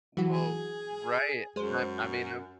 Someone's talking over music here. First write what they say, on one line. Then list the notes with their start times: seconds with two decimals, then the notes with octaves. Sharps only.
Woah! Right. I I mean, I'm
0.17 E3 F#3 F#4
0.30 G#4
1.56 F#2 G#3 C5